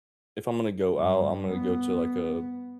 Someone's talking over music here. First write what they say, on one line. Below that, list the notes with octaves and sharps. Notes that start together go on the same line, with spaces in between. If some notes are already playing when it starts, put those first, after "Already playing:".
if I'm gonna go out, I'm gonna go to, like, a
G2
B3